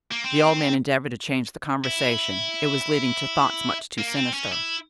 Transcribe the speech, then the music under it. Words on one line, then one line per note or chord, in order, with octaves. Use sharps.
The old man endeavored to change the conversation; it was leading to thoughts much too sinister.
A#3
C4
E4
A#3
C4
C#4
E4